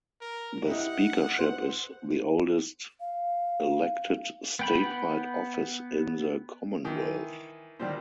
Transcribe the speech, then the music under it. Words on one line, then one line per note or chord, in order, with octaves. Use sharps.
The speakership is the oldest elected statewide office in the Commonwealth.
A#4
E4 G4 D#5 F#5
C5
F5
B3 G5 B5
D#3 E3 G#5
A#2 D3 D#3 G3 C5